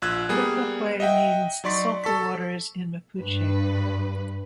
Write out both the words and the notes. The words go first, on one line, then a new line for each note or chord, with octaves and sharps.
"Copahue" means "sulphur waters" in Mapuche.
A#1 F4 E6 F#6 G#6
G3 A#3 B3 G#4
D#5 E5 F#5 G5
F#3 D#4 D5 C6 C#6 B6
A4 A5 C#6 B6
G2 B4